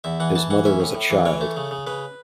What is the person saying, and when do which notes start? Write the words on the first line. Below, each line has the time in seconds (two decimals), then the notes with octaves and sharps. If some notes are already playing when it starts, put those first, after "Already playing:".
His mother was a child.
0.04 E2 E5
0.20 E3 F#5
0.35 E3 A5
0.50 E3 F#5
0.65 C#4 E5
0.80 A2
0.95 A2
1.10 E3
1.25 E3 C#5
1.41 A3
1.57 C#3
1.71 C#3
1.87 C#3 B4